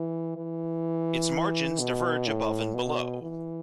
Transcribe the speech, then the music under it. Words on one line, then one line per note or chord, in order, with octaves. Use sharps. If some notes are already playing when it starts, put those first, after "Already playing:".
Its margins diverge above and below.
Already playing: E3
E3
B2
A2
B2
E3